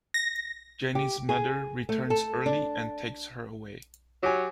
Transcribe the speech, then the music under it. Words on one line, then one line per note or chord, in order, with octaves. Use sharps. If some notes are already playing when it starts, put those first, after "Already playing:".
Jenny's mother returns early and takes her away.
A#6
G4
G#4
A3
A4
D4
F#3 G4 G#5